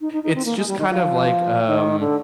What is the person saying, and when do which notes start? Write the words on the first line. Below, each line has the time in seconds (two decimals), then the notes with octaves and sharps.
It's just kind of like, um
0.01 D#4
0.12 D#4
0.23 D#4
0.35 C4
0.45 A#3
0.57 G#3
0.68 G3
0.78 D#3
0.90 F3
1.66 D#3
1.99 D3